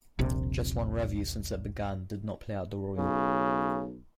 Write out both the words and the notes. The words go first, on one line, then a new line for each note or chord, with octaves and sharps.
Just one revue since it began did not play at the Royal.
D#1 A#1 C3
B1 C#3